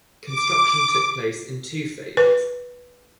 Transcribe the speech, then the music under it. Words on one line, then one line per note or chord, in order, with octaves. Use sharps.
Construction took place in two phases.
D6
B4